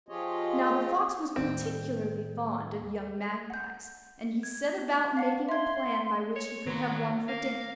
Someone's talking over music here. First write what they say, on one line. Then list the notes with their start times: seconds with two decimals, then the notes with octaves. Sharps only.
Now the fox was particularly fond of young magpies, and he set about making a plan by which he could have one for dinner.
0.09 F3 F4 G4 G#4 C#5 D#5
1.36 D#2 A2 G3 C4
3.50 F#5 G6
4.43 G#6
5.17 F5 F#5 A5
5.49 E5 C6 G#6
6.36 C#5
6.66 D#3 F#3 C6
7.28 A#3 F5